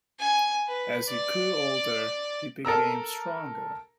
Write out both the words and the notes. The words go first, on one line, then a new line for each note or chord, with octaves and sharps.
As he grew older he became stronger.
G#5
B4
D5
A4 A#4 A#5 E6